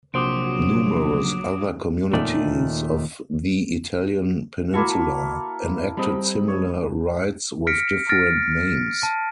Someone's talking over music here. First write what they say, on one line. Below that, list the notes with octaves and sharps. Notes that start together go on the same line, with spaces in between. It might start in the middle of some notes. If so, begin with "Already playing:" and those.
Numerous other communities of the Italian peninsula enacted similar rites with different names.
A#1 C3 F#3 F#4 C5 D6 D#6 D7
D#2 A#2 D#3 A3 D5
A#3 E4 F#4 A4
G3 C4 D#5 B5
C#5
F6 A#6 B6 C#7 D7
F6 A6 A#6 D7
A5